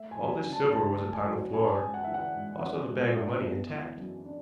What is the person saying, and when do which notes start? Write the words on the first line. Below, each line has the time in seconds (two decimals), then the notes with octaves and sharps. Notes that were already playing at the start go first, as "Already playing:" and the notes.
All this silver was upon the floor, also the bag of money intact.
Already playing: A3 E5
0.11 G#5
0.18 F#3
0.32 G#5
0.45 C#3
0.52 A5
0.72 C#2 A5
0.99 A3
1.12 G#5
1.26 F#3
1.53 C#4 G#5
1.64 A5
1.75 G#5
1.80 G#3
1.94 F#5
2.04 E3 E5
2.14 F#5
2.35 G#2
2.61 C#4
2.88 G#3
3.15 D4 E5
3.43 B3
3.70 E3
3.97 F#2
4.24 D4